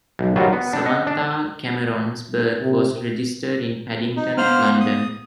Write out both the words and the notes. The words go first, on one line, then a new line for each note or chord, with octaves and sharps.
Samantha Cameron's birth was registered in Paddington, London.
B1
D#3 F#3 G3 F4 F#4
B3
D4 A4
D#5 F#5
D4
C3
D#4
B3 C5 F5 F6
D#6